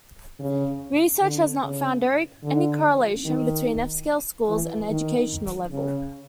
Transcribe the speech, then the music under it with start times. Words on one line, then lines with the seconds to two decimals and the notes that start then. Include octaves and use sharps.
Research has not found any correlation between F-scale scores and educational level.
0.39 C#3
1.22 D3
1.62 C#3
2.44 D3
3.25 D#3
4.48 E3
4.89 D#3
5.71 C#3